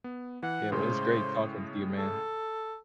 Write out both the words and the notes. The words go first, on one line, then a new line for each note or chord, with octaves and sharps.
Yeah, well, it was great talking to you, man.
B3
E3 F#5
A2 C#3 G#3 C5
A4